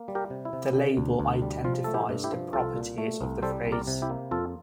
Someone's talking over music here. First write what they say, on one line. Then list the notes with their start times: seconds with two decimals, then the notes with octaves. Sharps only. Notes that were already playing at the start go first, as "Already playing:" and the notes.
The label identifies the properties of the phrase.
Already playing: A#3
0.08 G3
0.15 G4 A#4
0.30 C3
0.45 E4
0.53 C3
0.75 D3
0.97 D2
1.20 D2
1.42 G3
1.64 F3 F4
1.84 A3 A4
1.94 E4 G4
2.09 G2
2.24 E4 G4
2.31 F3
2.53 C2 F4 A4
2.76 A#2
2.98 A3
3.21 C2
3.42 G3 A4 C5
3.65 C2
3.72 A#4 D5
3.87 C3
4.02 E4 G4
4.10 A#3
4.31 F2 F4 A4